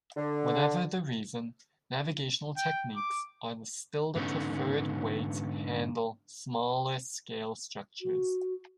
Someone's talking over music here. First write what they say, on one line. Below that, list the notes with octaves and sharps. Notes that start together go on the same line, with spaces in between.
Whatever the reason, navigational techniques are still the preferred way to handle smaller-scale structures.
D3
G5
D6
G#2 D3 B3 C#4 D#4
F#4